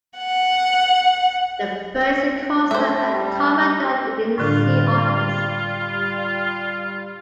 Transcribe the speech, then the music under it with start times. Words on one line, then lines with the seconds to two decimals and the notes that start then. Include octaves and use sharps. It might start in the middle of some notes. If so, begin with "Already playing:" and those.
The fur is coarser and tougher than in sea otters.
0.17 F#5
2.71 A3 G4 C5 D5 E5
3.06 G3
4.38 A2 D3 G3 D4 F4